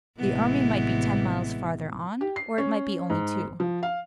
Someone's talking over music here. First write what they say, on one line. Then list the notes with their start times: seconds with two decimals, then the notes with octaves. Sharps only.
The army might be ten miles further on or it might be only two.
0.19 A1 C3 E3 G#3 B3
2.21 G4
2.36 C7
2.58 C#4
3.10 G#2
3.60 F3
3.83 F5